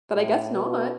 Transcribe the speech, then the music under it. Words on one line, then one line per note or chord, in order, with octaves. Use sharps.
but I guess not.
A2
B2